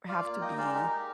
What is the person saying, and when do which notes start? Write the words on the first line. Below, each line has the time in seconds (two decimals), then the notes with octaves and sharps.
have to be
0.08 F4 D5 F5
0.25 A#3
0.41 D#4 D#5 G5
0.58 G#3 D5 F5
0.74 D#4 G4 A#4
0.91 D#4